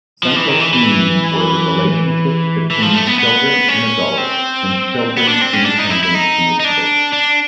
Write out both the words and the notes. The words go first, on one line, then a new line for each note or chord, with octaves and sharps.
Central themes were the relationships between children and adults and children's independent initiative.
F3
E3
D#3
E3
E3
E3
F3
A3
B3
B3
C#4
C4
B3
D4
C4
C#4
D4
D#4
E4
E4
D#4
D#4
D4
D4